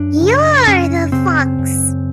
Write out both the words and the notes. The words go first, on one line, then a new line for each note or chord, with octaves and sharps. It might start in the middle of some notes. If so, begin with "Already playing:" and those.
You're the fox!
Already playing: F#2 D4
C#3
F#2 C#4
C#3 C4
F#2